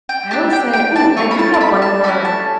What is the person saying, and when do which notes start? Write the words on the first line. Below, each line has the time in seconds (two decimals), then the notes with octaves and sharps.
I would say ooh, I do have one more
0.09 G5
0.31 D4 G4 A5
0.53 G5
0.73 G5
0.96 A5
1.17 A3 C#4 C#6
1.31 B5
1.39 A5
1.54 A5
1.61 B5
1.82 A5
2.04 A3 C#4 E4 B5
2.25 A5